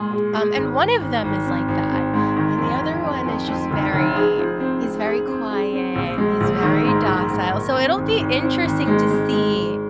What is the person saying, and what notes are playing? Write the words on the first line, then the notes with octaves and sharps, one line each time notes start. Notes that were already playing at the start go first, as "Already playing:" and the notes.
Um, and one of them is like that, and the other one is just very he's very quiet, he's very docile, so it'll be interesting to see,
Already playing: A#2 G#3 G#4
G#4
G#4
G#1
G#1
G#1
G#1
C4
G#1
C4
G#2
D#3
F2
D#3
F2
F2
F2
F1
F1
G#4
F3
C4
C4
G#4
C4
G#4
C4
A#1
G#3
A#1
D#3
G#2
A#1
G#2
A#1
C4
G#1
G#1
C4
G#1
G#3
G#3
G#3
G#1